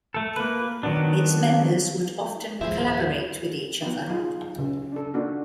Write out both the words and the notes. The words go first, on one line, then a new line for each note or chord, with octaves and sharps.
Its members would often collaborate with each other.
A3 A4
A#3 B4
D#3 F#3 B3 D4
D#2 G#2 F3 A#3 E4 G#4 C5 E5
B3 D#4
F#3 D#4 F4 G#4
C#3
D4 A4
A#3 D4 D#4 F#4